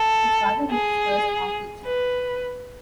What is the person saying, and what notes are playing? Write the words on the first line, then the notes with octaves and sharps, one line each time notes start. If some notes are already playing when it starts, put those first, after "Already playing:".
His father was his first art teacher.
Already playing: A4
G#4
B4